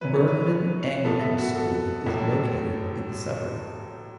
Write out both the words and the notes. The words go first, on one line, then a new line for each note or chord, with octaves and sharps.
Burgmann Anglican School is located in the suburb.
F#2 F#3 C#4 B4
C#5
B4
B1 B2 B3 A4
E5
F#4
A4
A1 A2 F#3 A3